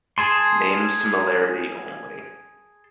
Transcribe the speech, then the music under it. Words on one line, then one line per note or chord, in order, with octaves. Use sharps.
Name similarity only.
G#4 A5 C6